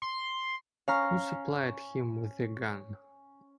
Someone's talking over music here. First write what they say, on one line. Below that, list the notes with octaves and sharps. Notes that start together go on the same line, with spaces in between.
Who supplied him with the gun?
C6
C#4 F5 A#5 F6